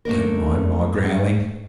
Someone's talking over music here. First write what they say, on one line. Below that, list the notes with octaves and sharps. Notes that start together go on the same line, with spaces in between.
Don't mind my growling.
A3 A#3 D4 A#4